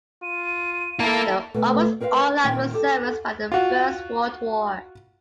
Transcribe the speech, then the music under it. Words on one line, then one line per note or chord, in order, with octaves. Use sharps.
They were almost all out of service by the First World War.
F4 D#7
A#3 E4 A4 A#4 A5
D2 B2 A3 B4
C4 A#4 B4 E5 F5
E2 A#2 D#3 C4 G5
G4 A4
F4 F#4